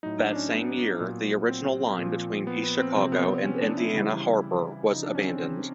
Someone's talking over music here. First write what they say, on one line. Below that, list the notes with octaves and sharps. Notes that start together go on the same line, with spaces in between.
That same year, the original line between East Chicago and Indiana Harbor was abandoned.
A2 F#3 D#4
D4
D4
C#4
B3
A#2 F#3
C4
A#2 F3
B3
B3
C4
C3 F3 C4
B3
C4
C#4
D4
E4
C#3 E3 G3
C#3 F3 D#4
D4
C#4
C4
C4